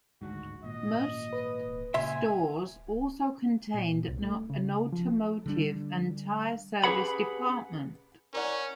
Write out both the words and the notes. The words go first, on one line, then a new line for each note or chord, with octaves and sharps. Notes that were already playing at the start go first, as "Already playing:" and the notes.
Most stores also contained an automotive and tire service department.
G#1 D2 G#2 F#4
G#1 A#2 D#5
B4
A#2 C#3 E5 G#5 C6
A#2
C2
A3
C#3
F3
D3 G3 D4
C#4 G4 G#4 B4 F#5 B5
C#4 A#4 D5 F#5